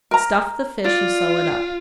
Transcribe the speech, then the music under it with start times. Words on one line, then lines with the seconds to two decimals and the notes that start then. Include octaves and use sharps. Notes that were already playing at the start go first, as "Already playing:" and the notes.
Stuff the fish and sew it up.
0.11 A#4 A#5
0.84 F4 D5